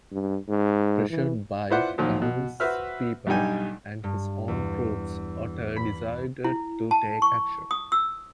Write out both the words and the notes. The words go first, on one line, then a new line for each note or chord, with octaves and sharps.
Pressured by the townspeople and his own troops, Otter decided to take action.
G2
G#2
E3
E4 F4 B4 C5 D5 F#5
A#2 D#3 F3 F#3
B2
F#4 B4 C5 E5 F6
B1 G2 G3 D#4 G5 G#5
G2
E2
B5
E4
A5
C#6
D#6
E6